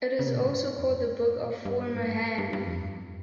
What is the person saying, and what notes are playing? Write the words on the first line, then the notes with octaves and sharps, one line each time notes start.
It is also called the Book of Former Han.
C#3
C3
A#2
G#2
G2
F2
G2
G#2
A#2
G2
G2
G#2
G2
G2
F2
G2